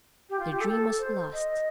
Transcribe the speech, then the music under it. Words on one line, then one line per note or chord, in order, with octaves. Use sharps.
Their dream was lost.
G4
F4
G4
A4
A4
C5
D#5